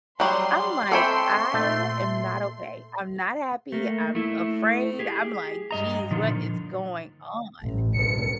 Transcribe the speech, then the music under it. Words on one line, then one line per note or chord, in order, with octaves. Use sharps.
I'm like, "I am not okay. I'm not happy. I'm afraid." I'm like, "Geez, what is going on?"
F#3 G3 C6
C4 A4 E5 G5 G#5 B5 C#6 D6
A#2 A3 E5 A6
A3 A#3
A3 E4
G4 G#4
G2 D#5 A#5
A#2 D3 D#3 F3
A1
C#7